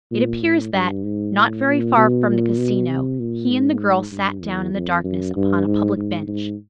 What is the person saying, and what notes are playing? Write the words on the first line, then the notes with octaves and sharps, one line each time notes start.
It appears that, not very far from the Casino, he and the girl sat down in the darkness upon a public bench.
A#2
A2
G2
G#2
A2
A#2
B2
A#2
B2
C3
A#2
G#2
G2
E2
F2
F#2
G2
G#2
G#2
G#2